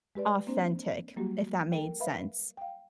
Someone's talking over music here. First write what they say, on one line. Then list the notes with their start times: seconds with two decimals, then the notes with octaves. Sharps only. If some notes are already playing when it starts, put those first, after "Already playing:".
authentic if that made sense.
0.15 G#3 G4 B4 D5
0.47 A#3 C4 D4 C5
1.16 F#3 G3 A#3 F#4 G4
1.72 A4 A#4 G5
2.00 B4 E5 F5 B5
2.57 F5 G5